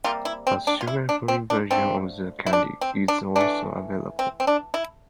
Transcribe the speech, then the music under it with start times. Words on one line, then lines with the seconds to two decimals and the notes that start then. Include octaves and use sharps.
A sugar-free version of the candy is also available.
0.04 C3 G3 A#3 F4
0.25 E4
0.47 C4
0.67 D4
0.81 F4
0.87 E4
1.09 D4
1.28 C4
1.50 D4
1.70 D3 F3 A3 C4
2.47 E4
2.53 D4
2.81 C4
3.08 D4
3.36 E3 A3 D4
4.19 C4
4.40 C4
4.47 D4
4.74 E4